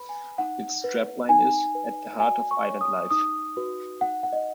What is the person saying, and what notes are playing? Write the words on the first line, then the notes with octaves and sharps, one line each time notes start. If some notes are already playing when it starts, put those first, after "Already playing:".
Its strapline is: "At the heart of island life".
Already playing: B4 B5
G#5
D#4 F#5
B4
D#4 G#5
B4
F#4 G#5
C#6
C#5
D#6
D#4 D#6
F#4 B4
D#4 F#5
F#5
D#5